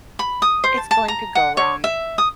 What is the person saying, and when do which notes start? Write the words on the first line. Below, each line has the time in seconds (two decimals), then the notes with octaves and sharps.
it's going to go wrong,
0.19 B5
0.42 D#6
0.64 C5
0.77 A5
0.91 A5
1.08 A#5
1.35 F#5
1.57 C#5
1.84 E5
2.18 D#6